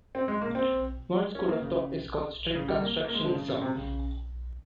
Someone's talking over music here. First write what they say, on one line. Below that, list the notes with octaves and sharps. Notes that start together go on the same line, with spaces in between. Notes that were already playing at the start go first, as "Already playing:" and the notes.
One school of thought is called strict constructionism.
C4
G#3
A#3
C4
C#4
A#3
C#3
C#3
G3
A#3
A#3
G#3
F3
C#3
C#3
C3
C#3